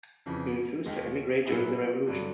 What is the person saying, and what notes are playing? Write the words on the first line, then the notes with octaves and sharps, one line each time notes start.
He refused to emigrate during the Revolution.
F2 C#3 E3
D#2 D#3 G#3
A#2 F#3 B3 E4 G#4
G2 D3 F#3